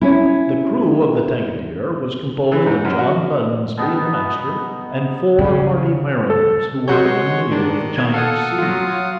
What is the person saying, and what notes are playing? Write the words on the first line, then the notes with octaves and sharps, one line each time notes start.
The crew of the Tankadere was composed of John Bunsby, the master, and four hardy mariners, who were familiar with the Chinese seas.
C#4 E4
E3
G#2
F#2
F#4
B2 B3 D#4 G5
C#3
A4
B2 F#3 C#5 F#5 C6 G6
G#3
D#3 D4
B2 G#6
A4 F5 F#5 D#6
F#3 F4